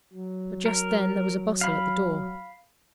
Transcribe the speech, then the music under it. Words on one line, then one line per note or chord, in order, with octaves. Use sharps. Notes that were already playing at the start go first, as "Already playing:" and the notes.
But just then there was a bustle at the door.
F#3
A#4
F5 B5